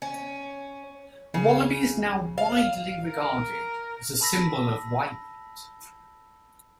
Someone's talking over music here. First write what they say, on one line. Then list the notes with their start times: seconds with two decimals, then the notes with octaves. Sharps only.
The wallaby is now widely regarded as a symbol of Waimate.
0.02 C#4
1.34 C#3
2.38 F5
3.06 A#4
4.21 A5 B5 E6 A#6 B6